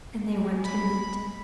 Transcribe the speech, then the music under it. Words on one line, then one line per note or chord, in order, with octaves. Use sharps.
And they went to meat.
G#3
B5